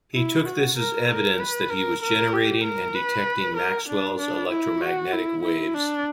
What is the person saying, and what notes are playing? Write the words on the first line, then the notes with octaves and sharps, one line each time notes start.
He took this as evidence that he was generating and detecting Maxwell's electromagnetic waves.
E4
F#4
A#4
A#4
B4
A#4
A#4
G4
A#4
B4
A#4
D4
D4
E4
F#4
E4
E4
D4